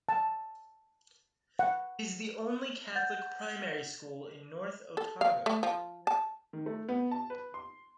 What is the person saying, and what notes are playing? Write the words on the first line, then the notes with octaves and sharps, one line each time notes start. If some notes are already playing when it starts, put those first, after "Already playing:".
It is the only Catholic primary school in North Otago.
A5
F#5
F#5 G6 A6
A4
F5
A3
F3
A5
D#3
A3
B3
A5
B4
C6